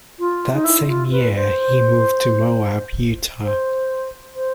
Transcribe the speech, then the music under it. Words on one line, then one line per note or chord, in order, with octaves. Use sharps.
That same year he moved to Moab, Utah.
F4
D#4
E4
F4
B4
C5
C5
C5